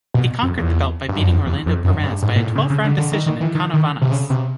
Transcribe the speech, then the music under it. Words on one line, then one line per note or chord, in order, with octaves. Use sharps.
He conquered the belt by beating Orlando Perez by a twelve-round decision in Canovanas.
B2
F2
E2
G2
F#2
F2
E2
F2
F#2
G2
G#2
A#2
A2
C#3
C#3
D3
D3
D#3
D#3
E3
D#3
D#3
C3
C#3
C3